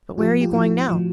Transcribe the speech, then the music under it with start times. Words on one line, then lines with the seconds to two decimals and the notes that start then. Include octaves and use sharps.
'But where are you going now?
0.18 A2 F3 F4 G4
0.41 F4 G4
0.52 A2 F3 E4 F#4
0.89 A2 F3